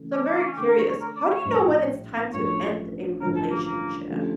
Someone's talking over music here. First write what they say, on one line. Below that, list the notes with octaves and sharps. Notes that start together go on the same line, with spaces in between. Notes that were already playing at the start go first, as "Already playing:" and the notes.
So, I'm very curious. How do you know when it's time to end a relationship?
Already playing: C#3 E3 A3
D4
D4
A#3
C#4
D3 A3 D4 G4 A4
A#4
C#5
C#5
A#4
D5
C#5
A#1 A2 G3 D4
A1 G2 F3 A3 C#5
A1 G2 D3 F3 A#4
A4
A#3
A#3
D3 F3 A3 C#4 G4